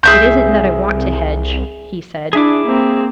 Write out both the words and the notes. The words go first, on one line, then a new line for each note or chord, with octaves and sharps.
'It isn't that I want to hedge,' he said.
C2 G#4 E5 G6
D4 E4 G#4 E5 D6
A#3 C4